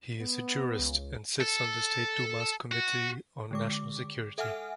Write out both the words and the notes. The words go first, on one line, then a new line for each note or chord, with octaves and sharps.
He is a jurist, and sits on the State Duma's Committee on National Security.
B3
C#2
A4
F#4
D3 G#3 D6
A4 E5 F#5 G#5 F6